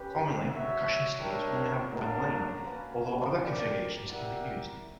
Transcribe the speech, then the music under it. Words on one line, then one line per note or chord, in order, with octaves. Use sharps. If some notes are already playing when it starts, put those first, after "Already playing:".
Commonly, percussion staves only have one line, although other configurations can be used.
Already playing: C#4 G4 B4
F#4 C#5 E5
D4 A#4 C#5 E5 G5
A#3 D4 A#4 C#5 F#5
A#3 C#4 F#4 B4
D4 A#4 D5 G5
E4 G4 A#4 D5 F#5